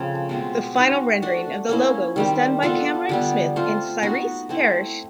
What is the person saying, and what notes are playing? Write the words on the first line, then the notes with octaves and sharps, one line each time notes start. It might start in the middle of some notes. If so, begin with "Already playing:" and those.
The final rendering of the logo was done by Cameron Smith and Cyrese Parrish.
Already playing: C#3 F3 A3 C4
B2 G#3 C4
C4 D#4 F#4
A3 D4 F#4
A#3 C#4 E4
D#3 G3 C4
B3 D4 F4 A4
D3 G3 B3
A3 C4 F4
B3 D#4 F#4 B4
A3 C4 E4